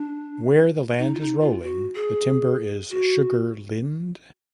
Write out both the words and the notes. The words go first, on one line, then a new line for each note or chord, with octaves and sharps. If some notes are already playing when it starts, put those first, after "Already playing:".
Where the land is rolling, the timber is Sugar Lind?
Already playing: D4
D#4
F4
D#4
F4
F#4
G#4
F#4